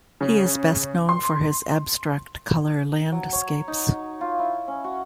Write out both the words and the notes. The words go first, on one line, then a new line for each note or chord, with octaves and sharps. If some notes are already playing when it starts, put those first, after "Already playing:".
He is best known for his abstract colour landscapes.
C#3
C6
F#3
C#5
D#4
F4
E4
C#4
F#4